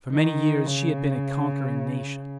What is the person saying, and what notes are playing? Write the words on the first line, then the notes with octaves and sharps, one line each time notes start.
For many years she had been a conquering nation.
D#3
C#3